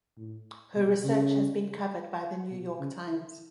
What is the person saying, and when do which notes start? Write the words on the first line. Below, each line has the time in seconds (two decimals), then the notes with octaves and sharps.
Her research has been covered by The New York Times.
0.18 A2
0.76 B2
1.04 C#3
2.51 B2
2.79 C#3
3.08 E4